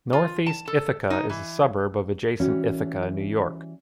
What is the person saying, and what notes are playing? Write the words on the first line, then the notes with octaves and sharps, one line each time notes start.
Northeast Ithaca is a suburb of adjacent Ithaca, New York.
F4
A5
A4
D#4
E3
E3 G3 C#4 F#4